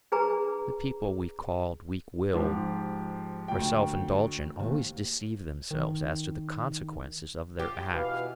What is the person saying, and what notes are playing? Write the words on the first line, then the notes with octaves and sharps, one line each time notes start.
The people we called weak-willed or self-indulgent always deceive themselves as to the consequences of their acts.
D4 G#4 B4 A#5
G#2 F3 G4
D2 G5
D#2
D#3
F4 G4
B2 E3 B4 F5